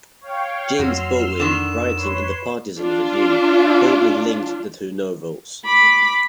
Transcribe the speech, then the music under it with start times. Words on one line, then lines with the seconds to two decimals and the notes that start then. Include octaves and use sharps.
James Baldwin, writing in the "Partisan Review", boldly linked the two novels.
0.21 C#5 F5 G5
0.79 F2 F#3 C6 E6 F6
1.40 D3 D#3 E7
1.96 B4 C#5 C6
2.80 D4 F4
5.65 B5 D6